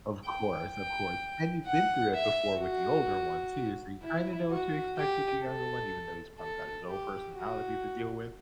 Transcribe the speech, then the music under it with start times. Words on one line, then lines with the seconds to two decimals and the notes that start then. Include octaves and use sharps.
Of course, of course, and you've been through it before with the older one too, so you kinda know what to expect with the younger one, even though he's probably got his own personality to deal with.
0.24 G5
0.71 G5
1.66 F#5
2.14 E5
2.60 F#4
4.03 E4
4.50 F#4
4.97 G4
5.44 A4
6.39 A4
6.87 G4
7.34 F#4